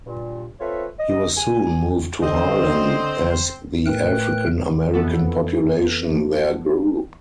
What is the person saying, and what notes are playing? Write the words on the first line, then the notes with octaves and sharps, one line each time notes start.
He was soon moved to Harlem, as the African-American population there grew.
G2 A#2
C4 F4 A4 B4 C#5 E5
D#5
G#5
D3 C4 C5 D#5
A2 A3 A#4 B4 G5 F#6
F2 E3 B3 A4